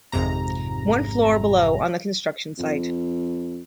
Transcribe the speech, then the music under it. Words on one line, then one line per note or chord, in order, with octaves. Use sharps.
One floor below on the construction site.
G#1 F2 G#2 C3 A#5
F2